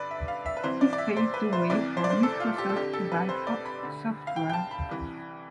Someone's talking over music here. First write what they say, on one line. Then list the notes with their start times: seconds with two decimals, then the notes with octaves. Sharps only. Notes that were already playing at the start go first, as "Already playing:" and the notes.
This paved the way for Microsoft to buy Fox Software.
Already playing: G2 D3 B4 D5
0.11 E5
0.28 F5
0.46 E5
0.57 B4
0.63 C2 C3 E3 C5
0.81 D5
0.93 D5
0.98 E5
1.17 C5
1.34 B4
1.53 C5
1.69 C2 C3 E3 D5
1.97 C5
2.04 D5
2.10 C5
2.23 A4
2.40 F4
2.58 G4
2.69 A4
2.76 F2 D3 G4
2.93 A4
3.12 B4
3.29 C5
3.47 D5
3.65 B5
3.83 D2 D3
4.27 F5
4.36 G5
4.50 G5
4.53 A5
4.71 B5
4.89 C2 C3 E3